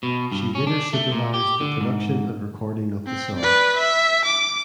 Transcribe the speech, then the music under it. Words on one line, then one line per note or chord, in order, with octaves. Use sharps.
She later supervised the production and recording of the song.
B2
G2
C#4
D4
A3
A#2
G4
D3
G#2
C4
B4 D5
E5
D6